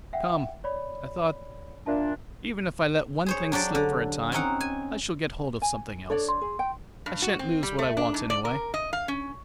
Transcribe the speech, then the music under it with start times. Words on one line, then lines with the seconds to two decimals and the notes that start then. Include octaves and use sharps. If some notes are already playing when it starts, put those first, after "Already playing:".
Come, I thought--even if I let one thing slip for a time, I shall get hold of something else--I shan't lose what I want, anyway.
0.13 E5 F#5 G5
0.64 C#5 D5 B5
1.86 A#2 D4 E5 A5
3.26 G#4 C5 C#5
3.52 F#3 D4 G4 D5
3.75 D3
4.32 C4 C#4 D#4 F#5
4.61 G#5
5.62 G#5
6.10 D4 A4 C#5 D5
6.29 C6
6.41 G#4
6.59 G5
7.06 G2
7.22 F#4
7.39 C4
7.63 G3
7.79 A3
7.97 D4
8.14 G#2
8.30 D5
8.45 A#4
8.74 D#5
8.93 F5
9.08 C#4